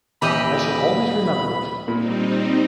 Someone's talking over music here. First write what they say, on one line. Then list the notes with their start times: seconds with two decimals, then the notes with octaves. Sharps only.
I shall always remember it.
0.22 D#1 E3 G4 D#5 B5
1.88 A#2 G3 C4 D#4